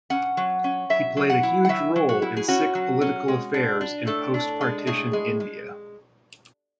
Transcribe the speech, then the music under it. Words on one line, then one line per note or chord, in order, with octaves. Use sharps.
He played a huge role in Sikh political affairs in post partition India.
C#4 F#5
F#3
C#4
F#3 E5
F#3
F#5
E4
F#5
F#3 E5
F#3
F#4
E4
G#4
C#4 F#4
F#3
C#4
G#3
D4
D4
A2 A4
D4
G#3
A2 G#4
G#3
G#3